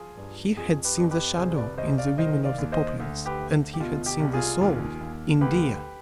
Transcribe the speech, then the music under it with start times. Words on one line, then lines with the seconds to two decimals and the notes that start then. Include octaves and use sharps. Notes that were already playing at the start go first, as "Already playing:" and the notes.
He had seen the shadow in the women of the populace, and he had seen the soul in Dea.
Already playing: F3 F4 G#4
0.17 G2
0.57 F2 F4 G#4
0.84 G4 B4
0.97 F2
1.11 G4 B4
1.37 C2 G#4 C5
1.57 B4 D5
1.78 C2 C5 D#5
1.98 D5 F5
2.18 D#3 C5 D#5
2.45 D5 F5
2.58 D#2
2.72 C5 D#5
3.00 D2
3.26 G4 B4
3.39 D2
3.73 G4
3.80 B2 F4
4.06 G4
4.20 C2
4.33 F4 G#4
4.61 D#2
5.01 D#2
5.41 D2 G4 B4